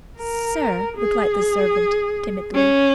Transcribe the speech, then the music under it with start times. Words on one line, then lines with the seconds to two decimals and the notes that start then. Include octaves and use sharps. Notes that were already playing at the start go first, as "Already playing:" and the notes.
"Sir!" replied the servant, timidly.
0.18 A#4
0.97 G#4
2.54 C#4